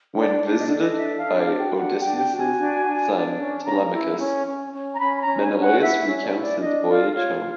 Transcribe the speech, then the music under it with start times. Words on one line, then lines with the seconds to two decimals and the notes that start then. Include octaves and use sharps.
When visited by Odysseus' son Telemachus, Menelaus recounts his voyage home.
0.17 D4 D5
0.44 D4
0.58 D#5
0.68 A4 D5
0.79 D#5
0.98 D4 E5
1.18 F5
1.25 D4
1.38 F5
1.52 F#4
1.58 G5
1.78 D4 F#5
1.99 G5
2.06 D4
2.18 G5
2.32 F#4
2.39 G#5
2.59 D4
2.86 D4
3.13 D4
3.39 C#4
3.66 C#4 A#5
3.93 E4
4.20 C#4
4.46 C#4
4.73 C#4
4.95 A#5
5.00 C#4 B5
5.16 B5
5.21 A#5
5.27 C#4
5.41 G#5
5.54 C#4
5.61 F#5
5.81 E4 E5
6.01 E5
6.08 C#4
6.21 D5
6.35 E4
6.41 D5
6.61 D4 D#5
6.88 F4 D5
7.15 F4 C#5